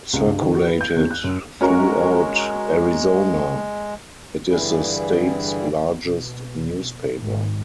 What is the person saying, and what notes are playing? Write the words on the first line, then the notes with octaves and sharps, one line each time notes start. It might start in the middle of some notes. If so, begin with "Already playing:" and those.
Circulated throughout Arizona, it is the state's largest newspaper.
C#2
G2
D#3
F#4
B4
G6
E2
F#6
F#2
G#3 C#4 F#4 A#4
G2 D3 E3 G3 E4 G#4
B2
G#1